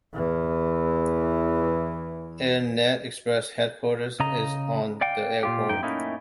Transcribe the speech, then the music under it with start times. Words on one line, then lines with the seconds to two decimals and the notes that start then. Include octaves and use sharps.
AirNet Express headquarters is on the airport.
0.14 E2 E3
4.20 C#3 D#5 A#5
5.01 D5 F5 G5
5.43 A#2 F4 G4
5.69 F#2 D#4 G5
5.83 A3 A#3 C#4 D#4 E4